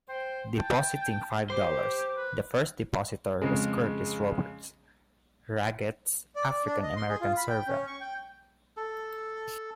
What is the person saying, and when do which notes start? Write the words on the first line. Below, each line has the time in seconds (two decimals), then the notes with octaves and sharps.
Depositing five dollars, the first depositor was Curtis Roberts, Raguet's African American servant.
0.09 C5 G5
0.58 G5 A5
1.50 G4 C5 D6
2.17 B4
3.42 F2 C#3 G#3
6.36 D5
6.49 D5
6.66 D4
6.83 D#5
6.96 C6
7.08 G#4
7.21 F4
7.37 B5
7.49 G5
7.68 C#4
7.87 C#6
8.00 G5
8.77 A4